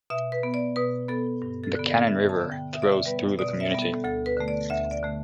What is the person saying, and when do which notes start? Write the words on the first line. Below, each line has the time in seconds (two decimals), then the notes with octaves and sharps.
The Cannon River flows through the community.
0.10 B2 E5
0.32 B4
0.43 B3
0.54 D5
0.76 B2 B4
1.08 B3 A4
1.42 G2
1.64 A4
1.75 D3 B3
1.86 D5
2.07 G2 E5
2.29 A5
2.40 D3 B3
2.52 G5
2.73 B2 E5
2.82 D5
2.92 E5
3.06 G3 B3 B4
3.39 B2 D5
3.60 E5
3.71 G3 B3
3.82 A4
4.04 D2 A4
4.26 B4
4.37 D3 A3
4.48 D5
4.70 D2 E5
4.91 D5
5.03 D3 A3